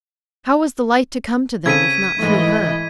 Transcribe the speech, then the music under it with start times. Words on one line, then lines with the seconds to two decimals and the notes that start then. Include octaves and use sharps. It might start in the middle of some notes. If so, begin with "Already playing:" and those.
How was the light to come to them if not through her?
1.66 C#3 C4 A4 G#6 B6 D#7
2.19 G#2 E3 A3 E4 D#5